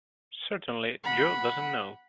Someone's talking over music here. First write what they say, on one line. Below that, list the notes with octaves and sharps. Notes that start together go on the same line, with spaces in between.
Certainly Jo doesn't know.
F#5 B5